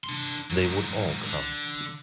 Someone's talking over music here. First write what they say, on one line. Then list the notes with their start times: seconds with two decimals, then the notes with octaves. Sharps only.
They would all come.
0.04 D4 C6
0.50 G#2 F#3
1.23 D3